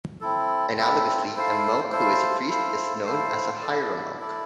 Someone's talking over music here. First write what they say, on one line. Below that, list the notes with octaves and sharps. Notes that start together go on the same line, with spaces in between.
Analogously, a monk who is a priest is known as a hieromonk.
C4 E4 A4
C4 E4 A4
E4 A4 C5 F5
E4 A4 C5 F5
E4 A4 C5 F5
E4 A4 C5 F5
E4 A4 D5
E4 A4 D5